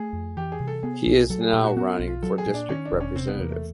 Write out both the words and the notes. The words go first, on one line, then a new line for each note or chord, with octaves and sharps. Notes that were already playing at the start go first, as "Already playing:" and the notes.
He is now running for district representative.
Already playing: A3 G#4
F2
E3 G4
G#4
C3
A4
B3 G#4
B1
F#3 A4
G#4
A#2 G4
F#4
B3 F#4
F4
B1
F4
F#3 A4
G#4
A#2
D4
D#3 C#4
D4
E1
C#4
C3 C4
B3
E2 A#3
A3